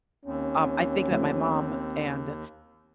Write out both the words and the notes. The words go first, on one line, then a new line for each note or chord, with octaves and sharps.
um, I think that my mom and
D#2 C4 C#4
F3 A3 G4